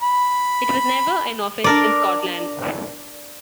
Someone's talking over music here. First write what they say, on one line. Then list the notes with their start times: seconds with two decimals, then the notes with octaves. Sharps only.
It was never an offence in Scotland.
0.01 B5
1.64 D4 A#4 D5